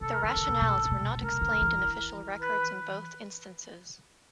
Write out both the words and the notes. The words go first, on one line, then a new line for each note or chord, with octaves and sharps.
The rationales were not explained in official records in both instances.
C3 A4
A#4
D3 A4
C#3
C3
B2
C3
C#3 A#4
D3
E3
B4